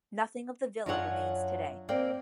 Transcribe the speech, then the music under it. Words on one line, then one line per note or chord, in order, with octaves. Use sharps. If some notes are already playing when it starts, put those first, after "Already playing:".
Nothing of the villa remains today.
F#2 F#3 D4 F4 C#5 F#5
A#3 C4 D5 G5